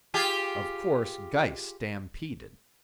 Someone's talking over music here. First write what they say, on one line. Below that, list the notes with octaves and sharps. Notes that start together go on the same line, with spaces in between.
Of course Geiss stampeded.
F4 G4 G#4